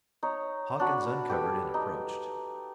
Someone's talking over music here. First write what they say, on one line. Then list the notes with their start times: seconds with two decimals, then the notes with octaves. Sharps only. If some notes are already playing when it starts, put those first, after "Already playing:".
Hawkins uncovered and approached.
0.23 D#4 C#5
0.80 D4 F#4 B5
1.30 G4 A4 B4
1.74 D#4